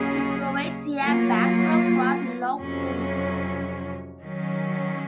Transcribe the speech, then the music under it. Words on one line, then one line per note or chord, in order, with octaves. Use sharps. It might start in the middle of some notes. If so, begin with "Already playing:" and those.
It provides a backdrop for Lough Coolin.
Already playing: D#2 C#3 F#3 C#4 G#4
F#3 A#3 F4
F2 C3 F#3 C#4
D#3 F#3 C#4